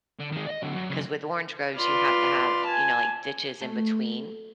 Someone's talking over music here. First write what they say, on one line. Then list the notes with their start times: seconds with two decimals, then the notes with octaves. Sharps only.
'cause with orange groves, you have to have, you know, like, ditches in between
0.20 D3
0.33 D#3 G#3
0.47 D5 D#5
0.63 D3 F#3
0.74 F#2
0.89 C#3 F#3
1.77 F4 B4 D5 C6 F6
2.65 G#5 A5
3.61 A3